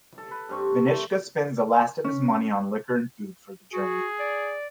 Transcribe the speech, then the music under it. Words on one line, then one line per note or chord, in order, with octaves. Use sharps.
Venichka spends the last of his money on liquor and food for the journey.
A4
B4
G2 C4 C#6
A3
C#4
F#4 G#4
D5